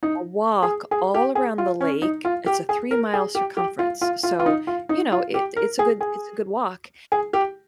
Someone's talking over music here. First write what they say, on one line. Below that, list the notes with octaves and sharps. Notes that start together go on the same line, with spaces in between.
a walk all around the lake, it's a three-mile circumference, so you know, it it's a good it's a good walk,
D#4
G#4
G#4
G4
G#4
F4
C#4
D#4
F4
G4
G#4
A#4
G#4
G4
G4
F4
F4
F4
F4
D#4
F4
D#4
F4
G4
A#4
G#4
G#4
G#4
G4